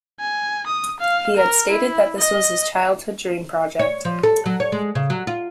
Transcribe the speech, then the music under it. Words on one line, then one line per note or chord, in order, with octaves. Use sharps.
He had stated that this was his childhood dream-project.
G#5
D#6
F5
A#4
E4
D#5
C#5
F3
A4
F#3
C#5
G#3
C#3
F#3
F4